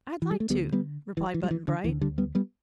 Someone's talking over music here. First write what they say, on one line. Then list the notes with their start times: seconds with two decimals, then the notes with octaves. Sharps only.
"I'd like to," replied Button-Bright.
0.22 E3
0.31 G3
0.40 A3
0.50 D2 G3 B3
0.54 D3
0.72 G3 B3
1.17 E3
1.34 E3
1.44 G3
1.51 E3
1.68 D3
1.84 D2 E3
1.88 D3
2.01 D3 G3
2.18 G3 B3
2.35 G3 B3